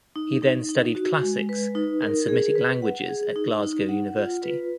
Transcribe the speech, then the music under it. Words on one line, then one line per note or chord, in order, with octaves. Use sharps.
He then studied Classics and Semitic Languages at Glasgow University.
D#4
D#4
D#4
F#4
G#3
B4
D#4
A#4
G#4
B4
F#5
G#4
D#4
D#4
F#5
F4
B4